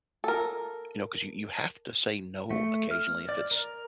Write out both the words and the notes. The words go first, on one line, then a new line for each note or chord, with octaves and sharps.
You know, 'cause you you have to say no occasionally if it's
A4 A#4
A3
F6
D5
A#4